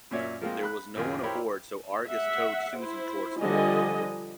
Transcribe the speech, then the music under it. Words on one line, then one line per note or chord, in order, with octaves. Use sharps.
There was no one aboard so "Argus" towed "Susan" towards Cork.
F#2 A#2 C#4 C#5 D5 E5
F3 G#3 A#3 C4 F4
B5 F#6
A#1 F#2 D#3 F4 G#5
E4 G4 A#4 C5 C#5 B5
E5 F#5
E4 C5
D3 F3 G3 D#5 G#5